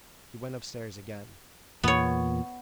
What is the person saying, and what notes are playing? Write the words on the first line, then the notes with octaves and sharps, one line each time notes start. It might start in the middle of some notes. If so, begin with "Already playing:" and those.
He went up stairs again.
E2 A#2 B3 C#5